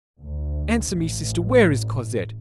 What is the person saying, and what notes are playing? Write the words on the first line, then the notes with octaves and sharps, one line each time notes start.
Answer me, sister; where is Cosette?
D2
A1